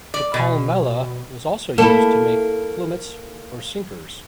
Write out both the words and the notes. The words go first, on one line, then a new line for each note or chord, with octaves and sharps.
The columella was also used to make plummets or sinkers.
D5
B2
A#3 E4 A4